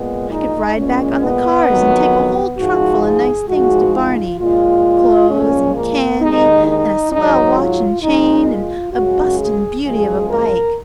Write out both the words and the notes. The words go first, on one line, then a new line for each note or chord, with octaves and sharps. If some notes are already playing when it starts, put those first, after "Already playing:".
I could ride back on the cars and take a whole trunk full of nice things to Barney,--clothes, and candy, and a swell watch and chain, and a bustin' beauty of a bike.
Already playing: A#2 G#3 B3
D#4
A#2 G#3 C#4
B3
F2 D#3 F#3
G#2 F3 G#3 F#4
G#4
G#2 F3 G#3 F#4
F4
A#2 G#3 F4
A#2 F3 G#3 C#4
A#3
D#2 D#3 G#3 D#4
D#4
G#2 F#3 D#4
F4
A#2 G#3 D#4
F4
F#2 C#3 G#3 F#4
G#4
F#2 F3 G#3 G#4
A#4